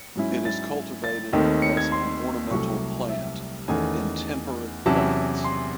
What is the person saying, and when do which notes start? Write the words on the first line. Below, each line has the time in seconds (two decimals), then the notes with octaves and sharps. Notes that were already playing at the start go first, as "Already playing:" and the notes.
It is cultivated as an ornamental plant in temperate climates.
Already playing: C#7
0.16 G#2 F#3 C#4 E4
0.45 A6
1.04 A6
1.33 D#2 D#3 A3 C4
1.62 C#7
1.77 G#6
1.92 C6
2.50 C2 C3 F#3 A3 C#6
3.09 E5
3.68 E2 D#3 A3 C#4 G#5
4.86 E2 C3 F#3 C#4 E4 A5
5.44 C6